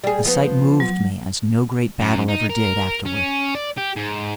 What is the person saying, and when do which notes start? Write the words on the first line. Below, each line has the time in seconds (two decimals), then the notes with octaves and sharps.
The sight moved me as no great battle ever did afterward.
0.04 G3 G#4
0.25 F3 B3
0.80 F#3
2.00 F#2
2.29 D#4
2.50 A#4
3.05 C#4
3.55 D5
3.78 G4
3.97 G#2